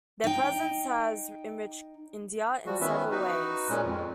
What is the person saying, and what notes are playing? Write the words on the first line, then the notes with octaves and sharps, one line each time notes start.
Their presence has enriched India in several ways.
D#4 G5
F3 G3 F#4
D#3 B3 C#4 B4 E5
D#4 F#4 B4
A#2 G#3 C#4
F2